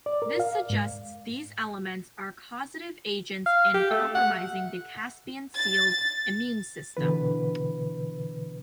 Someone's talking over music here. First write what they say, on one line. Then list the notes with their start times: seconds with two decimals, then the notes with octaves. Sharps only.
This suggests these elements are causative agents in compromising the Caspian seal's immune system.
0.06 D5
0.22 A#4
0.40 F5
0.70 G#2
3.46 F5
3.74 G4
3.90 A3
4.15 F#5
5.56 A6
6.97 B2 D3 E3 B4